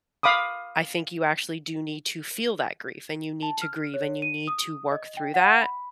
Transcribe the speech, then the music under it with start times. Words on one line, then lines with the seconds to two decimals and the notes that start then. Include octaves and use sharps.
I think you actually do need to feel that grief, and you need to grieve, and you need to work through that.
0.23 F5 B5 D6 D#6
3.43 A5
3.62 F6
3.94 C#5
4.22 D#7
4.48 D#6
4.92 D#5
5.17 G5
5.34 F#5
5.61 B5